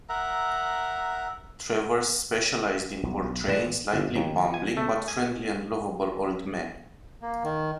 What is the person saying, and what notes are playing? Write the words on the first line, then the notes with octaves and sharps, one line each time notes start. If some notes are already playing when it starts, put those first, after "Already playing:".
Travers specialized in portraying slightly bumbling but friendly and lovable old men.
A#4 E5 F#5 A#5
B1
A2 E3 A3 B4 D5 E7
G1
D#2
G#5
A3
G#5
A#3
D#3